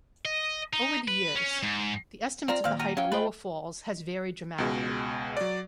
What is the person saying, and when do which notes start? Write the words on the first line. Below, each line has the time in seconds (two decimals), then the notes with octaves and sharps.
Over the years the estimates of the height of Lower Falls has varied dramatically.
0.25 D#5
0.73 D#4
1.08 B4
1.36 C#4
1.63 G#2
2.48 C4 F4 D5 F5 A#5 F7
2.64 D#2 A#2 C4 F5
2.79 F#4 G4 A#4 A#6 D#7 F7
2.97 F#3 A#3 C#4 F5 G5
3.12 A3 F4 B4 C5 D#5 G5 B5
4.58 C#2 B2 G#3
5.37 F#3 D5